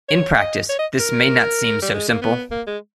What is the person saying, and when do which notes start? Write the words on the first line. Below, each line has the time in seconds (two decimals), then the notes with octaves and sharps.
In practice this may not seem so simple.
0.09 C#5
0.39 D#5
0.69 C#5
0.79 D#5
1.00 A#4
1.82 G3
1.94 G#3
2.09 A#3
2.22 B3
2.51 A#3
2.67 G#3